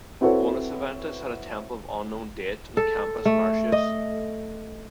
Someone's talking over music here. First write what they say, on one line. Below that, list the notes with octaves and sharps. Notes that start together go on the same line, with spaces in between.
Bonus Eventus had a temple of unknown date in the Campus Martius.
C4 E4 F#4 A4 B4 C#5
A4
A3
D#5